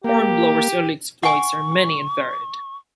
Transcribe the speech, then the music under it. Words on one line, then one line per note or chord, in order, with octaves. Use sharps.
Hornblower's early exploits are many and varied.
A#3 G4
F#5 G#5 C#6